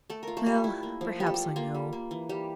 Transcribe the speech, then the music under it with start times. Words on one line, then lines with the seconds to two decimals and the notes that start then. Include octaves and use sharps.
Well, perhaps I know.
0.10 A3 A4
0.23 F4 A#4
0.37 A3 A4
0.46 G3
0.64 E4
0.83 A#3
1.01 F3
1.20 G3 G4
1.26 A4
1.34 F4 G4
1.56 A#3 F4
1.75 G3
1.93 A#3
2.11 E3
2.29 G3 G4